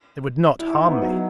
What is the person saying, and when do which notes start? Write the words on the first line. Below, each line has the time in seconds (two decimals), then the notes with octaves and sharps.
They would not harm me.
0.59 E4
0.73 D#4
0.88 B3
1.02 F#3